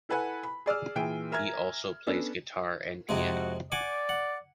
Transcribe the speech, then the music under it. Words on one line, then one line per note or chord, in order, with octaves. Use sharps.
He also plays guitar and piano.
E4 A4 B4 F#5 G#5
B5
G#4 D5 E6 F6
A#2 E3 G#4 G5 D7
A#4 E5 G#5 A#5 F6 G#6
B3 C#4 D4 A4
F2 C3 G#3 F#4
D5 F#5 G#5 D6
F#5